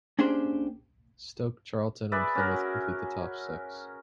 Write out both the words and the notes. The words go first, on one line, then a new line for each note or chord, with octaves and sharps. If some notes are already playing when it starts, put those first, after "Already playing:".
Stoke, Charlton and Plymouth complete the top six.
A#3 C#4 D4 G4 G#4 C5
G#4 B4 D5 E5
C#4 F#4 A#4